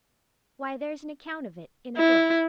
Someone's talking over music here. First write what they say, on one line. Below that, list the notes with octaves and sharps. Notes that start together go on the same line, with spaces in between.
"Why, there is an account of it in a book."
E4